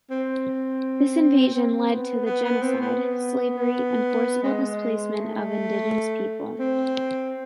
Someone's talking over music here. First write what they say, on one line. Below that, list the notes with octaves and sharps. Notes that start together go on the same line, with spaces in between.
This invasion led to the genocide, slavery and forcible displacement of indigenous people.
C4
C4
B3
B3
B3
C4
B3
G#3
A3
C4